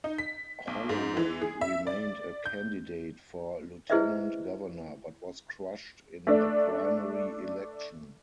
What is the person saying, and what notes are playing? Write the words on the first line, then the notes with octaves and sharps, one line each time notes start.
Holloway remained a candidate for lieutenant governor but was crushed in the primary election.
D#4
B6
B1
G#2
E3
G#4
E5
D5
G6
E4 G#4 B4 C5 D#5 E5
A3 D4